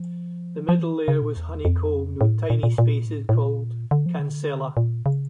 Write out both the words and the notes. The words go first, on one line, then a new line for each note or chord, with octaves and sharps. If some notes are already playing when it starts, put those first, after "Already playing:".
The middle layer was honeycombed with tiny spaces called cancella.
Already playing: F3
F3
E3
C#3
A#2
E2
F2
A2
A#2
A#2
A#2
A2
A2
A#2
D3
F3
D3
A#2
C#3